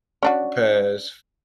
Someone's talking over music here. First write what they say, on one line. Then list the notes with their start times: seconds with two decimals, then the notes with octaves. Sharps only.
the past
0.23 C#4 D4 F#4